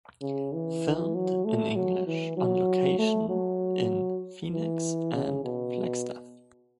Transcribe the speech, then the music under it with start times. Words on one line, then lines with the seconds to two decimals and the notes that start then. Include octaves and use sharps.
Filmed in English on location in Phoenix and Flagstaff.
0.22 C#3
0.53 E3
1.15 F#3
1.45 A3
1.76 F#3
2.07 E3
2.37 F#3
2.99 A3
3.29 F#3
4.52 E3
5.14 C#3
5.45 B2